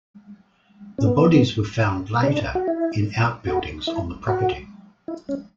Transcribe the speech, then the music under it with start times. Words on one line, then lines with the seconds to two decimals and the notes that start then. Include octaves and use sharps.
The bodies were found later in outbuildings on the property.
0.98 C#4
1.07 B3
2.23 C#4
2.27 D4
2.55 F#4
2.68 E4
3.47 F#4
3.87 E4
4.28 F#4
5.08 E4
5.29 C#4